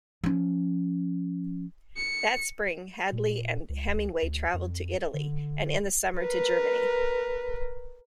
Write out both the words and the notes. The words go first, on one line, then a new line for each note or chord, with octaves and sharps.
That spring Hadley and Hemingway traveled to Italy, and in the summer to Germany.
F3 C#4
C#7
A#2
C#2
D2
F2
D3
A#4 B4